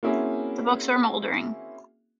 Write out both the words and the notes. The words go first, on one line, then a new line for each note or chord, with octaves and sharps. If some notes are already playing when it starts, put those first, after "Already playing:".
The books were mouldering.
A#3 C4 C#4 E4 F#4 G#4